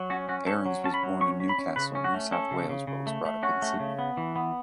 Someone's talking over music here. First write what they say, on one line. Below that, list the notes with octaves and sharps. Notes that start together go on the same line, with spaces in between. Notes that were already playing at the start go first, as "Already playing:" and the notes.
Aarons was born in Newcastle, New South Wales but was brought up in Sydney.
Already playing: F#3
C#4 F#4
C#4 F#4
C#4 A4
F#3
C#4 A5
B5
F#3
C#4 C#6
C#4
B5
C#4
C#3 B4
C#4
F#4
A3
C#4 A4
C#3
C#3
C#3
A3
A3
C#4 F#4
A3
C#3
B3
E3
B3